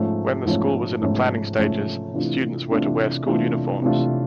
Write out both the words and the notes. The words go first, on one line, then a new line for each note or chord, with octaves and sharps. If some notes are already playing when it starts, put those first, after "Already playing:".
When the school was in the planning stages, students were to wear school uniforms.
Already playing: G#2 F3 A3 C#4
G#2 F3 A3 C#4
G#2 F3 A3 C#4
G#2 F3 A3 C#4
C3 E3 A3 D4 F4
C3 E3 A3 D4 F4
C3 E3 A3 D4 F4
C3 E3 A3 D4 F4